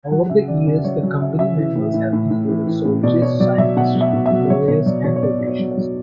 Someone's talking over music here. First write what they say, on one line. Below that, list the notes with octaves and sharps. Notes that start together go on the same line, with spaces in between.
Over the years the Company members have included soldiers, scientists, lawyers and politicians.
F#3 F#5
C#3 E5
C#3 D5
C#3 D5
F#3 C#5
F#3
C#3 E5
C#3 E5
E3
A2
A2
A2
A2
E3
E3
A2
B2 D5
B2 C#5
F#3 D5
F#3 E5
B2 F#5
F#3
E5
B2
E5
F#3
F#3 C#5
B2 C#5
F#3 D5
B2 C#5
C#5
B2 D5
B2
C#5
F#3
C#5
F#3